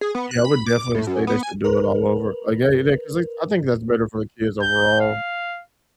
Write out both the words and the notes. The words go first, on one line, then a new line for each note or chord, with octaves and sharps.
yeah, I would definitely say they should do it all over, like, yeah yeah, 'cause they I think that's better for the kids overall.
G#4
B3
F#6
B5
D6
A2
F#2
B3
G#5
A#4 B4
G6
F5